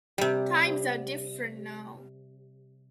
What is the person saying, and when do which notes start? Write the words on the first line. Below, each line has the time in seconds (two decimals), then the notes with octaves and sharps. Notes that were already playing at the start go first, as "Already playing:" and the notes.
Times are different now.
0.18 C3 G3